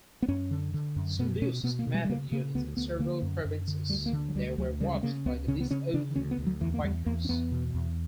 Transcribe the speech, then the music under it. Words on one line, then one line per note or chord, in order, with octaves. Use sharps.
Some duces commanded units in several provinces: they were watched by the diocesan vicars.
B3
F#2 C#4
D3
D3
F#2
B2 B3
B2 C#4
B2 B3
A#3
B2
G3
G3
C#3 A#3
C#3 A#3
D2 B3
D2 B3
D3 A#3
F#2
F#2
D3
D2 G3
A#3
D3
F#3
D2 G3
D2 F#3
C#3 G3
G3
C#3 A#3
C#2 B3
C#3 C#4
B3
C#3 C#4
C#3 D4
D2 C#4
B3
D2
F#3
E2 E3
A#3
E2 G3
E2 A#3
C#4
E2 B3
B2
E2